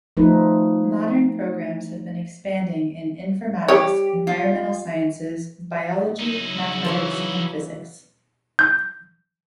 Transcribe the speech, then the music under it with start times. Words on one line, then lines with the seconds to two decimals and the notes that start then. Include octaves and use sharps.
Modern programs have been expanding in: Informatics, Environmental Sciences, Biology, Mathematics and Physics.
0.17 F3 A3 D#4 B4
3.68 G3 G4 C#5
4.27 F4
6.20 C#3 F#3 D#4 E4
6.85 E3 C#5 F5
8.59 G6